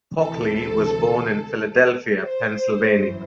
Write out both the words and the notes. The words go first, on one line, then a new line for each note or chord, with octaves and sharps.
Hockley was born in Philadelphia, Pennsylvania.
D2 C3 E3 A4
C5
G1 F#2 E3